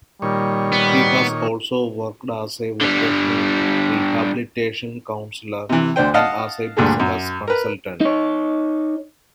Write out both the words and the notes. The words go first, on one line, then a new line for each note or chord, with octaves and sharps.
He has also worked as a vocational rehabilitation counselor and as a business consultant.
A#2 D#3 G3 C#5
B3
D3 G3
C3 E3
D2 D4 C5 G5
D#5 F5 F#5 A5
D2 G2 A#2 G#4 A4
F#2
A#4 B4
D#4 C#5